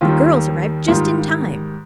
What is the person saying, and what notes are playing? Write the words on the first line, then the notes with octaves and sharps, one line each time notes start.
The girls arrived just in time.
D#2 D#3 G3 F4
G#2 D#3 G3 F4